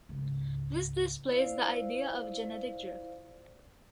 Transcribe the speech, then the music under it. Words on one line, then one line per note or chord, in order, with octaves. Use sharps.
This displays the idea of genetic drift.
C#2 G#2
E4 F4 C5 D5 F5